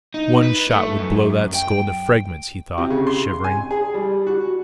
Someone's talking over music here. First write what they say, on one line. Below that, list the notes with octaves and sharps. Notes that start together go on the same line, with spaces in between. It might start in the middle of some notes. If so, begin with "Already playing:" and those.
One shot would blow that skull into fragments, he thought, shivering.
D#4
B4
A3
F#2
G5
C3
C#3
C6
G#5
G#4
G3
F#4